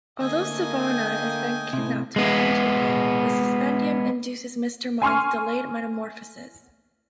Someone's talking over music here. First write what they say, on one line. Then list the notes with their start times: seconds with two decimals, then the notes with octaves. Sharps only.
Although Sivana is then kidnapped by Intergang, the Suspendium induces Mister Mind's delayed metamorphosis.
0.20 D3 A3 A#3 D#5 G#5
0.86 G5
1.73 A2 C3
2.16 G#3 B3
5.02 G#5 C6 C#6 F6